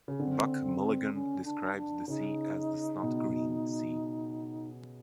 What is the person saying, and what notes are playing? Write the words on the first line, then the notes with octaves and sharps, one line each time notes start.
Buck Mulligan described the sea as The snotgreen sea.
C#3
D3 C4
C#4
D4
D4
C#3 D#4
B2
B2